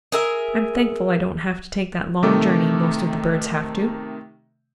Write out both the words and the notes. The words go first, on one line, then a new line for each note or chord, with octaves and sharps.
I'm thankful I don't have to take that long journey most of the birds have to.
G#4 A#4 E5
C3 D#3 A3 A4 D6